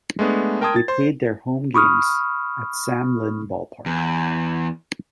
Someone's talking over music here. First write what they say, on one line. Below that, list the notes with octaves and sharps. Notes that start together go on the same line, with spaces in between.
They played their home games at Sam Lynn Ballpark.
G#3 A3 B3 D4
A#4 G5 A5 C6 D#6 G#6
A6
C5 C6
B5 C#6 D#6 F6
E2